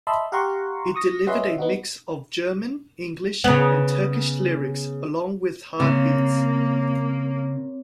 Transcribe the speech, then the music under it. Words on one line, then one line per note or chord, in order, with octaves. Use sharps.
It delivered a mix of German, English, and Turkish lyrics along with hard beats.
D#5 E5 A5 B5 C6
G4 F5 F#5 A#5 C6 C#6
C#6 D#6 A#6
C#4 F#4 B4 D#5 E5 C6
B3 D#4 F#4
C#3 B3
C#3 A#3 C4 C#5